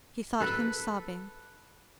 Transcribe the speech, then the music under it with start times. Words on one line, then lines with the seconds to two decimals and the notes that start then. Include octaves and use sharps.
She thought him sobbing.
0.40 A4 B4